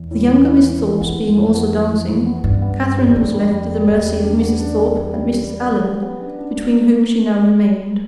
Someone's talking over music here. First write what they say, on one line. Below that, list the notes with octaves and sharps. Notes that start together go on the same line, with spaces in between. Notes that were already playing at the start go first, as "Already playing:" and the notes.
The younger Miss Thorpes being also dancing, Catherine was left to the mercy of Mrs. Thorpe and Mrs. Allen, between whom she now remained.
Already playing: E2
A2
E4
E3
E3
E3
F2 B3
E3
E4
B3
E4
E3
E3
B3
G2 D4
B3
B3
G3
E2
F2 D4
G3
G3
G3
E2 G3
G3
D4
B3
D4
G3
G3
G3
G3
G3
B3
G4
B3
D4
D4